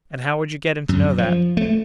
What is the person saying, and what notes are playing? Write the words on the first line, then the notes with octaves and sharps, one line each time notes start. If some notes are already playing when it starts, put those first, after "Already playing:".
"And how would you get him to know that?"
F#2
F3
A3